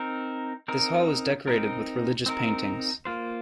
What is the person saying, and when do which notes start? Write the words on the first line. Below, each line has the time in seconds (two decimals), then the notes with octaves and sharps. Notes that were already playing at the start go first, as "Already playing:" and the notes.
This hall is decorated with religious paintings.
Already playing: C4 D#4 A#4
0.68 C4 D#4 A#4
1.47 C4 D#4 A#4
2.26 C4 D#4 A#4
3.05 A#3 F4 C5